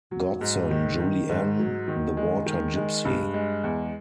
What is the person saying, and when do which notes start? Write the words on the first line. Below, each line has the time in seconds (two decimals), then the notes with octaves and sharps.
Godson, Julie Ann, The Water Gypsy.
0.11 F#3
0.41 G#2
0.71 D#3
1.00 D#3
1.29 G#2
1.58 F#3
1.88 D#3
2.17 G#3
2.46 D#3
2.76 G#3
3.05 G2
3.34 G#3
3.64 E2